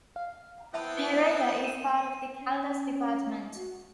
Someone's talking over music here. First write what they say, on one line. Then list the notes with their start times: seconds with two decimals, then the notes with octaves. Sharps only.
Pereira is part of the Caldas department.
0.16 F5
0.74 B3 C4 E4 E5 G5 A5 B5
1.64 D#7 E7
2.42 C#4
3.56 F#4